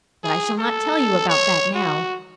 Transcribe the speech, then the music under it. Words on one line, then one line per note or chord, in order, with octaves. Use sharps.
But I shall not tell you about that now.
G#4
A4
C#5
F#4